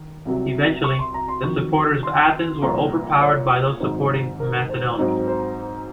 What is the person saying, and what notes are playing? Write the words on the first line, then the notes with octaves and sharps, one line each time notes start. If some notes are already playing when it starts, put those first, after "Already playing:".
Eventually, the supporters of Athens were overpowered by those supporting Macedon.
Already playing: D#3
C2 C3 F#3
C#6
C6
A#5
C6
F2 D#3 F#3 C#6
C6
C2 A#2 F3 A#5
C#5
G#1 G#2 F#3 C4 D#4 C5
A#4
C5
G#2 F#3 C4 D#4
C5